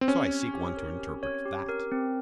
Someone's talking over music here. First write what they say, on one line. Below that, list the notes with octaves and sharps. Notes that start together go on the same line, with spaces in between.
So I seek one to interpret that.
C4
C#4 G4
C#5
G4
A#4
G4
C#5
G4
A#4
C4